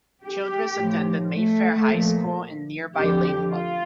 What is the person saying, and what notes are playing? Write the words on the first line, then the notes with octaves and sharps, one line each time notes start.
Childress attended Mayfair High School in nearby Lakewood.
G4
A2 F3
A3
A#2 F3
F2 D3 F3 G4
F4